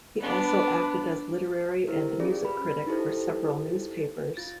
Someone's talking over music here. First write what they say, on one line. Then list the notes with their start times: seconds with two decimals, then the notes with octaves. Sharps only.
He also acted as literary and music critic for several newspapers.
0.20 B3 D4 B4
1.87 E4 G4 A#4 C5
2.20 C#4 F4 G4 G#4 D5
2.45 B4 B5
2.86 D#4 E4 G4 A4 C5
4.37 F4 A6